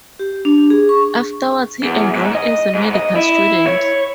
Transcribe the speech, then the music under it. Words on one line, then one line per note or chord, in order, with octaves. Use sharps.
Afterwards he enrolled as a medical student.
G4
D4
G#4
C#6
E2
G#2
D#5
G#2
D#5
E4
C#5